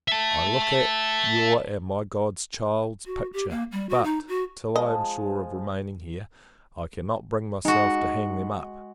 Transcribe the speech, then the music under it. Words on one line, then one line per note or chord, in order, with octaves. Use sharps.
I look at your and my God's Child's picture; but, till I am sure of remaining here, I cannot bring myself to hang them up.
E5 A5
F#4
G4
A#3
G3
F#4
D#4
F#4
F3 G#3 D#5
G#3 D#4 F#4